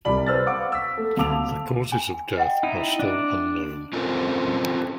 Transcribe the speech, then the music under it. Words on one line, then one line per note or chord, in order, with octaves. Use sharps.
The causes of death are still unknown.
C2 G3 D5 B5 F#7
B4 C5 E6 F6 A6
F5 F#5 C#6 D6
E6 B6
A3
D2 F5 A5 D6 E6 F7
G#5
D#5 F#5 G5
D#4 E4
D4 D5
C4 C#4 F4 A4 A#4 C5